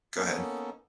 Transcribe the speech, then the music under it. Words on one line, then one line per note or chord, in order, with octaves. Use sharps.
go ahead.
A#3 B3 C#4 D#4 A4